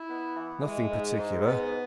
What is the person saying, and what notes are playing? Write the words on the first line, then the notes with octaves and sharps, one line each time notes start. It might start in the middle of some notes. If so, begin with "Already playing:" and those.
"Nothing particular."
Already playing: E4
B3
E3
G#3
G#2
G#2
B3